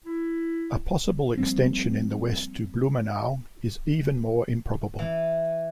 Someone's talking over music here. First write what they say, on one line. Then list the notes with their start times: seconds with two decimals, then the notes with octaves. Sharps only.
A possible extension in the west to "Blumenau" is even more improbable.
0.06 E4
1.37 F3 G3 A#3 C4
4.99 E3